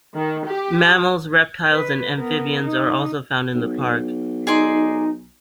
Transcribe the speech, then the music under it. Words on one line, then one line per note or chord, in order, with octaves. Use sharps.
Mammals, reptiles and amphibians are also found in the park.
D#3
G4
B4
B3 A#4
D#4
B1
D#4 G#4 D5 C6